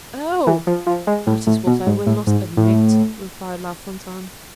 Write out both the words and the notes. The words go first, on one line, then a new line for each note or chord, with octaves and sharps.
"Oh! that is what I will not admit," replied La Fontaine.
E3
F3
F3
G#3
A2
A2
B2
G#2
A2
G#2
A2